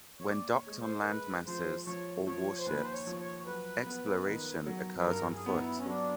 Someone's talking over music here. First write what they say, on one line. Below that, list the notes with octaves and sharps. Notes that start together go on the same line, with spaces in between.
When docked on landmasses or warships, exploration occurs on foot.
C#5
D#2 D5
C#5
G#3
C5
A#4
G#3 B4
F3 C5
F3 C#5
F3 C#5
C5
D#2 B4
C5
C#5
F3
C#5
F#3 B4
B3
D#3
F#3
B4
G2 A#4
G#4
B3 D#4
E4
C#4
F#3 D4